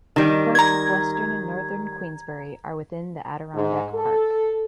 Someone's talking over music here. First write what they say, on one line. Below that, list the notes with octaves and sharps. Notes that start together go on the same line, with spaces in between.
Parts of western and northern Queensbury are within the Adirondack Park.
D#3 G3
A#5 G#6
G#2
A4